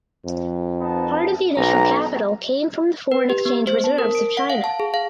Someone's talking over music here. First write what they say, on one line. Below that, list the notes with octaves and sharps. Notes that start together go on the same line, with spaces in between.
Part of the initial capital came from the foreign exchange reserves of China.
F2
B3 D#4 A5
B1 A#5
B4
G4
B3
C5
A5
A#4
D7
F#5
F5
A5
G#4
F5